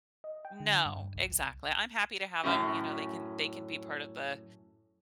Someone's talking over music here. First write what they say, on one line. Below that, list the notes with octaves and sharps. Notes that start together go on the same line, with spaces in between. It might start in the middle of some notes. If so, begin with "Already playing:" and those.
No. Exactly, I'm happy to have 'em, you know, they can they can be part of the
D#5
G5
D3
G2
C2
C2
F#2 A2 G#3 C#4 F#4